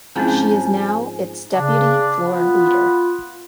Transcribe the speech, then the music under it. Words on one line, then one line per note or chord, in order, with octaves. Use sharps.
She is now its deputy floor leader.
G#2 F3 C4 C#4 E4 G#5
C#3 D4
B3 F4